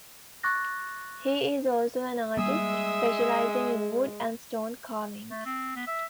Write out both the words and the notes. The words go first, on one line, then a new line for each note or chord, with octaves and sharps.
He is also an artist, specializing in wood and stone carvings.
C#6 D6 F#6 A6 A#6
G3 G#3 A#3 G#4 E5 D#6 E6
A3
C4
B3
E5